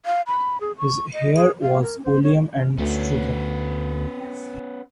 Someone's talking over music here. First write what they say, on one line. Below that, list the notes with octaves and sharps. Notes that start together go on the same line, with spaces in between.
His heir was William Anstruther.
F5
B5
G#4
C#6
D#5
G#4
F5
A#4
C5
C#5
D2 B3 C#4